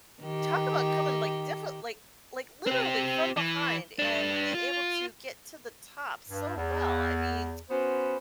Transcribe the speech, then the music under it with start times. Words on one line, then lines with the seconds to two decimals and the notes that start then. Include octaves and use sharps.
talk about coming like, different like like, literally from behind and being able to get to the top so well, I mean,
0.22 D#3 G4
2.67 C4 G4
3.37 E3
3.99 G2 D4
4.55 F4
6.29 G2
6.56 E2
7.70 B3 C#4 F#4 B4 C5